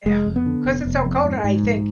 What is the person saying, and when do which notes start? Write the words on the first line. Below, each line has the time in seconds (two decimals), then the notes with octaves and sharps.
ugh, 'cause it's so cold, and I think,
0.06 F1 G#3
0.26 F2
0.36 B3
0.46 D3
0.65 F1
0.85 F1
1.05 F2
1.24 G#2
1.44 G#2
1.63 A#1